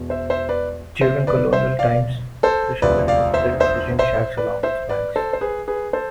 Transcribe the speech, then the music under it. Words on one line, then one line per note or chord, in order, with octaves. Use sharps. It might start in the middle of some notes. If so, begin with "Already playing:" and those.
During colonial times, fishermen would build fishing shacks along its banks.
Already playing: E1 E2 B2
C5 E5
C5 E5
B4 D5
C5 E5
B4 D5
C5 E5
D5 F5
A4 C5
E1 D2 C3 F3 B4 D5
D5 F5
C5 E5
C5 E5
C5 E5
B4 D5
C5 E5
B4 D5
A4 C5
C5
G#4 B4
G#4 B4
A4 C5